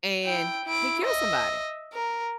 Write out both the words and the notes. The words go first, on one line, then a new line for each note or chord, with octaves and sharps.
and he killed somebody.
E4 G5
E4 D7
D#5 E5
A#4